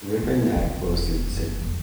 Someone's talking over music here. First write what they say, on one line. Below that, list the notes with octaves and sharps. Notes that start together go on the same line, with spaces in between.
The river Nag flows through the city.
F2
C#3 E3
E1 E2
F#1
F2 D3